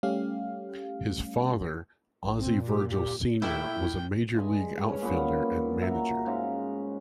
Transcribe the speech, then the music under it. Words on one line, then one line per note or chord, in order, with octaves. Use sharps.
His father, Ozzie Virgil Senior was a Major League outfielder and manager.
G3 A3 C#4 G4 F5
A#1
C4
A#2
G4
G4
A#1 A3 E4 G5
G2 G#3 G#5
C#4 B4 C#5
A#2 B3 B5
F#4 E5 A#5
G#2 C#4 F5